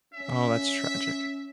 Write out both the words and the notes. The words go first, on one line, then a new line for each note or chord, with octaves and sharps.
Oh, that's tragic.
C#4 E5